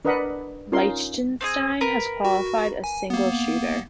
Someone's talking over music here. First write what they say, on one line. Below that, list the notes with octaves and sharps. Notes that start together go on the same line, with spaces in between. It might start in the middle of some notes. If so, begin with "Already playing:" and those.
Liechtenstein has qualified a single shooter.
D4 A#4 B4 D#5 F#5 B5
C#4 D#4 F4 A#4 C6
C4 D4 G#4
A#4 B4
F#4
G#5
A#3 B3